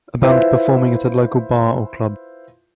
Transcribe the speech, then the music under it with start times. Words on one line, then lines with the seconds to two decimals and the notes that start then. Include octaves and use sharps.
A band performing at a local bar or club.
0.22 E4 F4 B4 C5 E5